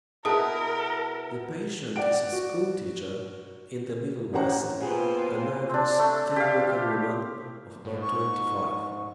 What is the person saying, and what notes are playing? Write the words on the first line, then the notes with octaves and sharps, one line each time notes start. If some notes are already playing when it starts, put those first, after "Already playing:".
The patient is a school-teacher in the Middle West, a nervous, thin-looking woman of about twenty-five.
B2 E4 G#4 A#4 B4 E5 A5 D#6
D5 F#5 D7
F#4
A1 C#4 G4 C5 F#5 A#5
B2 A#3 B3 F4 G#4 C5 G5 G#5
C4 D4
A3
G4 F5
G#2
C#6